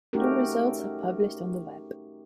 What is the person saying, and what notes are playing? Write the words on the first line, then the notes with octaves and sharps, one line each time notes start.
The results are published on the web.
A3 C#4 D#4 F#4 G4 A#4